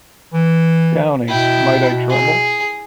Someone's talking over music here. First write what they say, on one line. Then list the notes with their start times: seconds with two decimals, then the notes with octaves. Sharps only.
Downing, might I trouble...?
0.33 E3
1.27 B2 E4 G5
2.09 G#4